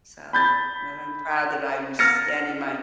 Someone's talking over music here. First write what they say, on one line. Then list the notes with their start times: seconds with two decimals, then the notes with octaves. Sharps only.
so but I'm proud that I'm standing my
0.33 B5 G6 A6
1.99 F6 A6 A#6 C#7